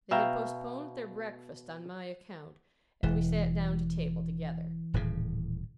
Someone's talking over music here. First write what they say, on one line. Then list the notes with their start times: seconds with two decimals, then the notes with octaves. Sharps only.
They had postponed their breakfast on my account, and we sat down to table together.
0.11 B2 E5 F5 G5 A#5
3.03 E1 E3
4.94 D#1 A2 C#3